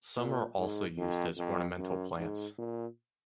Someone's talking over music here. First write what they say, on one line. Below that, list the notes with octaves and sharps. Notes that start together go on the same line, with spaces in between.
Some are also used as ornamental plants.
A#2
G#2
F2
F2
F#2
G#2
A#2